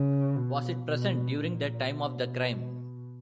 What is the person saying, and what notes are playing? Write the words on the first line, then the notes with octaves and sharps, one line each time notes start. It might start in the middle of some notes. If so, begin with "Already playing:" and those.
Was it present during the time of the crime?
Already playing: C#3
B2
B2
A#2
B2